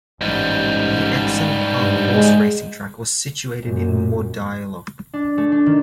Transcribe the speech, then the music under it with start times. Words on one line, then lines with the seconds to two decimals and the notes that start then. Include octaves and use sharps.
The Epsom Park Horse Racing track was situated in Mordialloc.
0.21 A1 G#2 G3
1.77 G2
2.13 G#3
3.61 F#2 A#2
5.13 D4
5.38 A3
5.52 D4
5.66 D#3